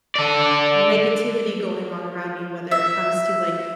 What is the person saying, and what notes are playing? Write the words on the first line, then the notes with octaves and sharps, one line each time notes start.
negativity going on around me, whether it comes to, like,
A4 D5
E5